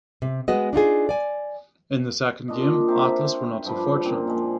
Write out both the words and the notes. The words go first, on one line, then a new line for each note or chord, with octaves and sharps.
In the second game Atlas were not so fortunate.
C3
G#3 B3 F#4 D#5
D4 D#4 F4 G#4
D5 G#5
A#2 D4 F4 D#5
C4 A#4 C5 E5
G2 F3 B5
F#2 A#2 C4
A#2 F3 G#3